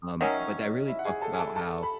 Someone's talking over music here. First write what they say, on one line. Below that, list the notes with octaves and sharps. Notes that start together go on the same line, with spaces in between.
Um, but that really talks about how,
D#3 F#3 C#4 D#5
E5
D#5
E4 E5
F#5
G#4 G#5
A4 A5
G#5
A4 A5
A4 A5
B5